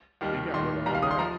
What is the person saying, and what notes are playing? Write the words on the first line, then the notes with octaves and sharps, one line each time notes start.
They got rid of all that,
D#2 D#3 G3
D#2 D#3 G3 C6
D#2 D#3 G3 A#5
F5
D#6
C6
F3 A#5